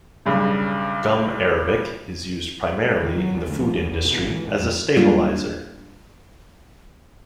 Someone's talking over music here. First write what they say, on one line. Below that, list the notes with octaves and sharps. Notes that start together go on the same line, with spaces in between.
Gum arabic is used primarily in the food industry as a stabilizer.
B1 G2 C#3
D#3
F#3
E2
D2
F3
E2
E2
B2
G#1
E3
G#2
F2
G#2 F#3 G3 A#3 D4 F4